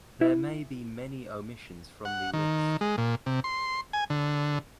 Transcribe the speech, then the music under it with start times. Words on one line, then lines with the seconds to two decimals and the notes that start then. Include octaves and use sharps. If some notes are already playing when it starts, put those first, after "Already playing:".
There may be many omissions from the list.
0.21 E4
2.05 F#5
2.33 D#3
2.81 G#3
2.98 A#2
3.26 C3
3.44 C6
3.93 G#5
4.10 D3